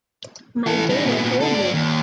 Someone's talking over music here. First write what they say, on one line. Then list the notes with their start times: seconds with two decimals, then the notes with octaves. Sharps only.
My data told me.
0.67 E3 A4
0.89 G3 D#4
1.06 A#2 B3
1.41 D4 A4
1.54 G2 D5
1.74 D#2